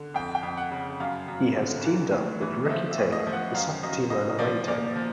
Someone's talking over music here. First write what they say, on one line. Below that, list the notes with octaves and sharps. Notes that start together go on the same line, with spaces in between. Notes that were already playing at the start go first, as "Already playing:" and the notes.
He has teamed up with Ricky Taylor, the son of team owner Wayne Taylor.
Already playing: D3
F2 G5
G5
F2
F#5
C#3
F#2 F5
F#2
D3
E3
A2
E3
D#5
F3 E5
E5
A2
D#5
F3
F#5
F#2 F5
F#2 D#5
C#3 D#5
D#5
F3 D5
A#2 D5
F3